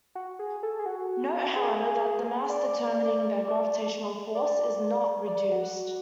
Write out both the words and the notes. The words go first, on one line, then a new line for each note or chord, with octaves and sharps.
Note, however, that the mass determining the gravitational force is "not" reduced.
F#4
G#4
A4
G#4
F#4
G#4
D5
D5
D5
F#4